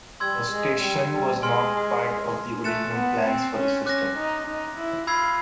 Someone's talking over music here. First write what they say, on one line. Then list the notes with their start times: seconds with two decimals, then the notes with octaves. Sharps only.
The station was not part of the original plans for the system.
0.20 G3 C6 E6 G#6
0.51 G#3
0.82 G3
1.11 G3
1.42 G#3 G#5 C6 F6
2.64 A3 F#6 A6 C#7 E7
2.94 B3
3.25 C4
3.56 C#4
3.85 C#4 D6 F#6 A#6
4.17 D#4
4.47 D#4
4.77 E4
5.07 F4 B5 E6 G#6 C7